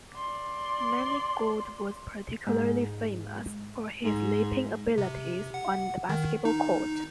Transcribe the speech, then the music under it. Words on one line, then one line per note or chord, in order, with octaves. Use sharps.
Manigault was particularly famous for his leaping abilities on the basketball court.
D5 C6
G#2
G#2
C3
F#5
D#3
D#4